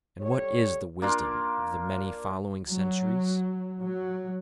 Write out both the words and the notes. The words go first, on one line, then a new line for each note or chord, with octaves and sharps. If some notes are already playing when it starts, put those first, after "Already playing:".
And what is the wisdom of the many following centuries?
G3 A4 C#5
A#3 D4 F4
F#3
F#3